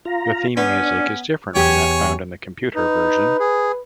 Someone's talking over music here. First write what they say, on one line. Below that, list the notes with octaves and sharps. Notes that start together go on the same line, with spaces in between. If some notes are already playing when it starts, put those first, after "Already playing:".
The theme music is different from that found in the computer version.
F4 A#5
B3 C#4 D4
E2 B3 G4 C#5 G#5
D#4 B4
G#4